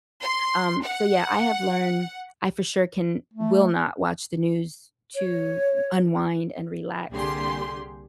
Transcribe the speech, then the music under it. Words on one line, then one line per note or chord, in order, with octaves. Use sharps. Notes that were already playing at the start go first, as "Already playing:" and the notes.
um, so yeah, I have learned I for sure can will not watch the news to unwind and relax,
C6
F#5
A3
C#5
C2 D3 A#3 G4 G#4 C6